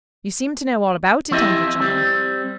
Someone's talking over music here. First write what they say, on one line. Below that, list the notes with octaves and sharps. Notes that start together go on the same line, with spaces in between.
"You seem to know all about it, Uncle John."
F3 C4 E4 G4 D#5 E5
G3 C4